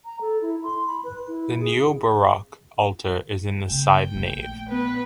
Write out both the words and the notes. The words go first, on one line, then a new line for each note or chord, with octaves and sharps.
The Neo-baroque altar is in the side nave.
A#5
A4
E4
C6
B5
B4
E4
G#4
C#3 B3 G5
A#1 A3
B3 B4